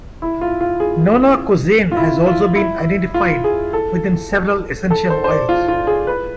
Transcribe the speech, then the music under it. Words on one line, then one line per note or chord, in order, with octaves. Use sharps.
Nonacosane has also been identified within several essential oils.
E4
F4
F4
G#4
F4
E4
F4
E4
F4
G#4
A4
A4
C5
C5
D5
F4
F4
G#4
B4